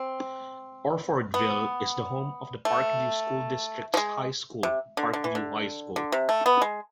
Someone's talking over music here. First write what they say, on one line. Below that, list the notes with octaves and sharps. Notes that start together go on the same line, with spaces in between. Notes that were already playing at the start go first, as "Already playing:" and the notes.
Orfordville is the home of the Parkview School District's high school, Parkview High School.
Already playing: C4
B3
A3
F3
G#3
C3
D3
D3
E3
D3
D3
C3
A3
B3
G#3